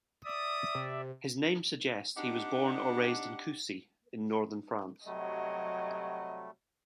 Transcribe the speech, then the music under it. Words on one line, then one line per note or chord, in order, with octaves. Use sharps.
His name suggests he was born or raised in Coucy in Northern France.
D5 E5 D#6
C3
C4 D4 D#4 G4 D5 F#5
C3 F#3 G3 A3 D#5